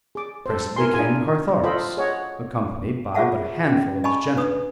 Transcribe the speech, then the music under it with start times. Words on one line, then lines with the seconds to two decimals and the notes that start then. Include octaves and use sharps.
Presently came Carthoris, accompanied by but a handful of his gentlemen.
0.15 G#4 D6
0.46 A4 C5
0.76 E4 A#4 G#5 C6
0.94 D4 E4 F4 G#4 G#5
1.63 F4 A4 C5 D#5 G5 B5
1.97 G#4 C#5 D#5 F#5
3.15 F4 G4 G#4 E5 F#5 A5
3.69 C#4
4.04 D#5 G#5 A5 B5 C#6
4.37 D4 B4 D#6